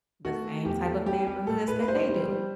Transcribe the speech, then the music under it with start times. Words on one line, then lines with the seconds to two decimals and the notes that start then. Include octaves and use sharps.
the same type of neighborhoods that they do.
0.25 A3 F#4
0.45 A3
0.65 E2 G4
0.85 A3
1.06 G3 G4
1.27 G3 G4
1.47 A2 A4
1.67 A2 B4
1.82 B4
1.88 G3 C5
2.08 G3
2.29 G3